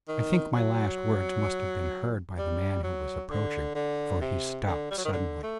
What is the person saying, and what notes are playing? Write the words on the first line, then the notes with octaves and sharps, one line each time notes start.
I think my last words must have been heard by the man who was approaching, for he stopped suddenly.
D#3
F#3
G3
F#3
D3
D3
C3
D3
G3
F#3
D#3
D3
A3